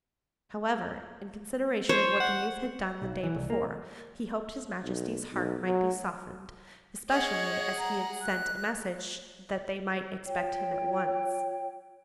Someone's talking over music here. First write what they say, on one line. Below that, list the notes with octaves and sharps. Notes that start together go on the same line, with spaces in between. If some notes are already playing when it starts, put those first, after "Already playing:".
However, in consideration of what the youth had done the day before, he hoped his majesty's heart might be softened, especially as he had sent a message that they might expect him at once.
C5 C#5
F#5
B1
E3
C2
A#3
B1
B1
F#3
G#4 C#5 D#5 F#5
A#5
F#6
F4 C#5 G5